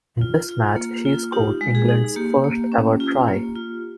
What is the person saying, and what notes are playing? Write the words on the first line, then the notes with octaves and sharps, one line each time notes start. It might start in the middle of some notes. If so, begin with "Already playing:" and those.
In this match he scored England's first ever try.
F4
F4
A#3
F4
D#4 G4
G#3
G#4
D#4
A#3 G4
A#3
C#4
F4
A#3
F4